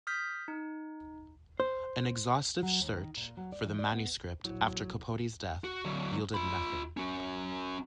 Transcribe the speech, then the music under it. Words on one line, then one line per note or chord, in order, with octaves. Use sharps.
An exhaustive search for the manuscript after Capote's death yielded nothing.
D#6 F6 G6 B6
D#4
C5
F#3
D#2
D#3
A#2
F#3
D5
E3
D5
B3
A#1 F#3 E4
F#4
D3 F#3
F4 B5
C#4 F#4